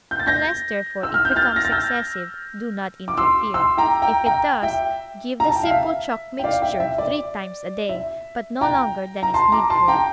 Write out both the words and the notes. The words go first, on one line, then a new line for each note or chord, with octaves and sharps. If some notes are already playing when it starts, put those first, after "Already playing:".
Unless, therefore, it becomes excessive, do not interfere; if it does, give the simple chalk mixture three times a day, but no longer than is needful.
G6
A6
G6 A#6
E6
F6
G6
F6 A6
A#6
A6
E6 G6
D6
C6 E6
C6 E6
G5 A#5
G5 A#5
G5 A#5
E5 G5
A#5
A5
G5
F5
E5
G5
D5 F5
E5 G5
E5
D5
E5
G5 A#5
A#5
A5 C6
A#5 D6
A5 C6
G5 A#5